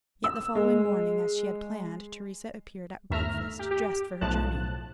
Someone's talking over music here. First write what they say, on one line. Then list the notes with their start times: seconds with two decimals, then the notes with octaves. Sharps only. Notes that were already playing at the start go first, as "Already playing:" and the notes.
Yet the following morning, as she had planned, Theresa appeared at breakfast dressed for her journey.
0.24 E6
0.55 G#3
3.10 G1 D#2 A3 E5 A#5 F6
3.59 G4
3.71 G4
4.21 B1 A2 F3 A5 F#6